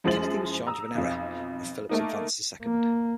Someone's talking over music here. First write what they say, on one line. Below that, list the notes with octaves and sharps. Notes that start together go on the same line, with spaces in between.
Kennedy was charged with an error, and Phillips advanced to second.
F#2 F3 G#3 E4 A6 F#7
A#5 D#6 E6
B1 F2
A3 A#3 D#4
A#3